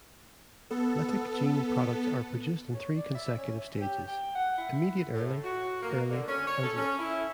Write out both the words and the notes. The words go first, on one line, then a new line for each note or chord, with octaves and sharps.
Lytic gene products are produced in three consecutive stages: immediate-early, early, and late.
B3 A4
C#5
D5
E5
C#4
G4
G5
F#5
E4
A2
F#4
A#3
D3
C#4
C#5
A4
C#4
E4